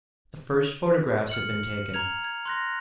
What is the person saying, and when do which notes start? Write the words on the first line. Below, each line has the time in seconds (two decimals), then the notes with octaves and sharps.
The first photographs had been taken.
1.29 F6 C#7 F#7
1.94 A#5 F6 G#6 F7
2.24 G#6
2.45 C6 F#6 A#6